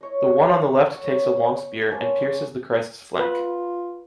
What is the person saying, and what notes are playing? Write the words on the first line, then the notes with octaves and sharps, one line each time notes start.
The one on the left takes a long spear, and pierces the Christ’s flank.
E4 C#5 D#5
C#5 F#5
B3
A#3 C#4 A5 C6
F4 B4